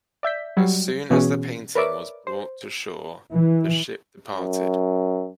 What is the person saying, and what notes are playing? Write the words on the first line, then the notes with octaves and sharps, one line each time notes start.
As soon as the painting was brought to shore the ship departed.
D5 E5 G6 B6
F#3 G3
B2 E3 B3 C#4 F#4 G#4
A#4 B4 C#5 D5 E5 D6
C5
E3
F#2